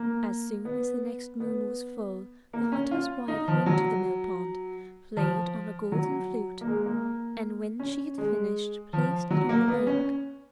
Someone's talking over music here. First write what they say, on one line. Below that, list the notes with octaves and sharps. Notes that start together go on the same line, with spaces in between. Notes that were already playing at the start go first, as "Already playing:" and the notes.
As soon as the next moon was full the hunter's wife went to the mill-pond, played on a golden flute, and when she had finished placed it on the bank.
Already playing: A#3
B3
B3
A#3
C#4
F4
D#4
F3
F#3
F3
F#3
A#3
G#3
A#3
C#4
G#3
F3
F#3
A#3
B3
C#4